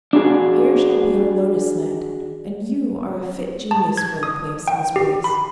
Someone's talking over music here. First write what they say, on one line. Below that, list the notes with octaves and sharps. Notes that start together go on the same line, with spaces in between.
"Here shall be our lotus-land, and you are a fit genius for the place, Miss Brace."
D4 F#4 G#4
A5
G#6
D#6
G5
G4
B5